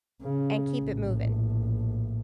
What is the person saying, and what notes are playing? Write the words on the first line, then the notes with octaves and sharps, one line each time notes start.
and keep it moving."
C#3
A#1 A2